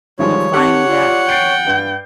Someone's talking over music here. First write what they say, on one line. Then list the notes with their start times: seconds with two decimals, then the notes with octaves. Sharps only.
you know, finding that
0.19 D#3 F3 G3 G#3 C#5
0.54 C4 G4 F#5 A5 C#6
0.88 F4 D5
1.29 G5 A6 C7 D7
1.67 G2 G6